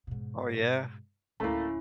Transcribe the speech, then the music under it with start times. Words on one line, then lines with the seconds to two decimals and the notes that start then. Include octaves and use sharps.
Oh, yeah?
0.07 G#2 B2
1.40 D1 D2 A3 A#3 C#4 E4